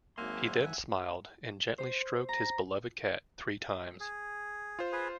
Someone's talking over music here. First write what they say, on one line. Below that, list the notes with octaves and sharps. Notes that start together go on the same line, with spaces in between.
He then smiled and gently stroked his beloved cat three times.
G#1 F#3 A#3 E5 F#5 G#5 C6
C5
A#5
G#4
F4 C5
G#4 B4